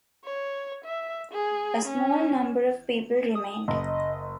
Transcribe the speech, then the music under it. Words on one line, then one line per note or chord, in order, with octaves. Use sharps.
A small number of people remained.
C#5
E5
G#4
C#4
D#6
F#1 D#5